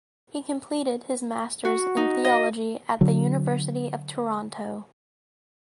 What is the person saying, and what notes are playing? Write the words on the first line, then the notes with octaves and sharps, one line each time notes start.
He completed his master’s in theology at the University of Toronto.
F#4
D#4
D#5
D3 F#3